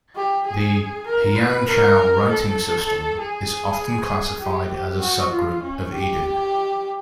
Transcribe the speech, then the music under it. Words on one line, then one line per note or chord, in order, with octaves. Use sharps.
The "hyangchal" writing system is often classified as a subgroup of Idu.
G4
G#4
A#4
B4
A#4
A4
G#4
G4
G4
F#4
F4
C#4
G4